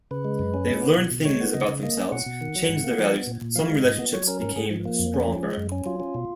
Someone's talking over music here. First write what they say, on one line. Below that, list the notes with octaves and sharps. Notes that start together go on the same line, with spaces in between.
They've learned things about themselves, changed their values, some relationships became stronger.
C#3 B4
G#3
F#2
C#4
G#3
B3
B2
B2
G#3 C#5
B3
C#3 D#5
C#3
A#3 D#5
C#4
B2 F#5
B2
D#3
F#3
G#2
A#3
F3
B3
A#2
A#2
F3 F5
G#3
G#2 D#5
B3
F#3 C#5
C#4 A#4
G#2 A#4
G#2 G#4
F3
A#3
F2
C#4
F3
G#3
F#2
C#4
F#3 F4
C#4
B2